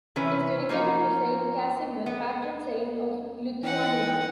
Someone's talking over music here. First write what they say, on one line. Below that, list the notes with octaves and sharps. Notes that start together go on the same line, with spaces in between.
It is dedicated to Saint Casimir, patron saint of Lithuania.
C3 E3 C#4 B4
F3 A#3 C#4 D#4
B3
E3 D#4 F#5 G5